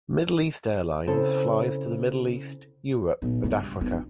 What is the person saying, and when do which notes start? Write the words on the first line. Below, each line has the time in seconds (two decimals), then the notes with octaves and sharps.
Middle East Airlines flies to the Middle East, Europe, and Africa.
1.07 C#3 C4 E4 A4
3.22 B1 A#2
3.44 C#2 G2
3.81 B1 D4 F4